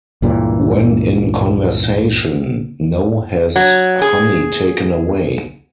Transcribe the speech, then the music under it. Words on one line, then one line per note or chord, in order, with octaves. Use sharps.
When in conversation, No has Honey taken away.
C#2 G2 A#2 E3
F#3
G#4